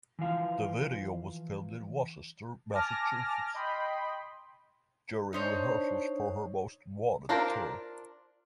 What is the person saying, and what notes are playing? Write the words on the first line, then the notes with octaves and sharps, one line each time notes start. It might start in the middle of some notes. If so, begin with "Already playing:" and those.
The video was filmed in Worcester, Massachusetts during rehearsals for her Most Wanted Tour.
E3 F3 F5
G#5 A5 D6 F6 A#6
D#5 G5 B5 C6
D4 D#4 C5 C#5
D4 F4 A#4 C5 A5